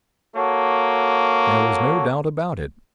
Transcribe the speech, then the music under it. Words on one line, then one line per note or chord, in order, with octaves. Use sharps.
There was no doubt about it.
A#3 F#4 A4 C#5